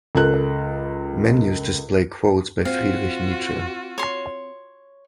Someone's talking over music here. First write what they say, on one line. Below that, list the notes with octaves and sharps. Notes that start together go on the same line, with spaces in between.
Menus display quotes by Friedrich Nietzsche.
C#2 A4 A#4 F#6
C4 F4 F#4 F5
C#5 C6